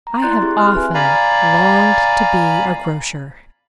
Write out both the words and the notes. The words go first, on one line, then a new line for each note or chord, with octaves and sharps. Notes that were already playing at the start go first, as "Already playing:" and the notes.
I have often longed to be a grocer.
A#5
E4 D5 C6 F#6 G6 A6
C4 E4 G4 G#4 C6
F6 F#6
F#4 B4 E5 G#5
D5 F5 G#5 A#5 B5